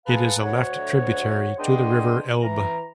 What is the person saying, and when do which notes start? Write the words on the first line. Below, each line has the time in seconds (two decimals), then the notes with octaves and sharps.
It is a left tributary to the river Elbe.
0.06 G#4 B4 F5 F#5 A5 A#5
0.41 D2 C#5 F#5
1.58 B3 D4 G#4 D#5 G5 C6
2.42 E3 A#5